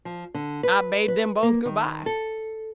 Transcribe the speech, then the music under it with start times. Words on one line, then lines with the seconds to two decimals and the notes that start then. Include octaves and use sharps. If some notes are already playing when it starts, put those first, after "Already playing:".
I bade them both good- by.
0.05 F3
0.34 D3
0.63 B4
1.08 B4
1.43 A#3
1.65 D#3
2.06 A4